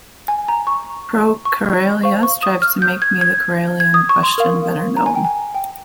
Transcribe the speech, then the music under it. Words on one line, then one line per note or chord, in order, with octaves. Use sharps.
ProKarelia strives to make the Karelian question better known.
G#5
A#5
C#6
C#6
C5 F5 C#6
C#6
D#6
F6
G6
G#6
G#6
G#6
D#6
C#6
C6
A#4 F5
A#5
G#5
G5
G#5
G5